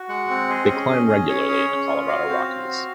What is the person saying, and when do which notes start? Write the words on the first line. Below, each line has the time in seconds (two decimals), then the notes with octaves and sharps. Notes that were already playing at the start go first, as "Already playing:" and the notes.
They climb regularly in the Colorado Rockies.
Already playing: F#4
0.09 G#3 F#5
0.30 C4
0.49 G#4 D#5
0.69 C#4
0.90 C#4
1.09 G#4
1.29 C#4 C#5
1.48 G#4
1.68 C#4
1.88 F4
2.08 F#4 F5
2.29 C4
2.48 C4
2.68 F#4